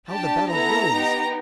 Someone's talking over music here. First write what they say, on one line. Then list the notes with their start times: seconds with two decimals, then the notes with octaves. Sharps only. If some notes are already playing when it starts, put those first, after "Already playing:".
How the battle grows!
0.10 D4 G4 A5
0.50 B3 E4 A4 A#5
0.90 B3 D#4 G4